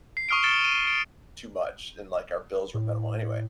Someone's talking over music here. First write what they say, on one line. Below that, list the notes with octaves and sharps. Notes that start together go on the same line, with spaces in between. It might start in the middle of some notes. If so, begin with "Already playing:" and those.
too much and, like, our bills were minimal anyway,
C7
C#6 D#6 F6 C7 D7
F6 A6 C#7 D7 E7 G7
D#7
D7
A2